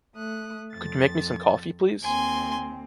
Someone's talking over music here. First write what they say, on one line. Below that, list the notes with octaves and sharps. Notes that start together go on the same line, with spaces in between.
Could you make me some coffee, please?
A3 D#6 F#6
F2 A6
D#2 C4 G#5 C6